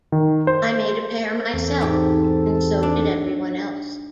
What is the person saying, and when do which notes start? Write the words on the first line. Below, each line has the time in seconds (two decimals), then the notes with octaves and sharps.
I made a pair myself, and so did everyone else.
0.12 D#3
0.47 C5
1.53 E2 C4 A4
1.81 G#2 G4
2.83 D4